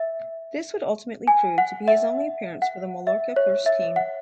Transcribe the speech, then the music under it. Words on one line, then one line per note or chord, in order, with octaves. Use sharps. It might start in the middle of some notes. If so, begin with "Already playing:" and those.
This would ultimately prove to be his only appearance for the Mallorca first team.
Already playing: E5
G#5
F#5
E5
F#5
E5
C#5
E5
F#5